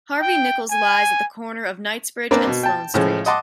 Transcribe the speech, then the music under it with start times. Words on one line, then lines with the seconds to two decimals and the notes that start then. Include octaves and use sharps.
Harvey Nichols lies at the corner of Knightsbridge and Sloane Street.
0.21 G5
0.70 G#5
2.31 A#3 C4 D4 A#4 B4
2.47 B2
2.63 G5 A5
2.94 A2 C#3 F3 G#3
3.26 D#5 F#5 A5 C6 D6